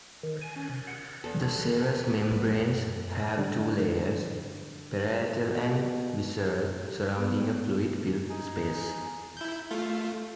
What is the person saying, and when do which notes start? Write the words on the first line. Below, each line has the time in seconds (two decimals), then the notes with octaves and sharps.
The serous membranes have two layers, parietal and visceral, surrounding a fluid filled space.
0.23 D#3
0.42 G#5
0.56 C#4
0.69 C3
0.87 F#5
1.24 E2 A4 B4
2.31 F#2
3.38 D3 G3 D4
5.41 B2
6.45 G4
7.17 B3
8.29 D#4 G#4
9.37 E4 G6
9.71 A3 F4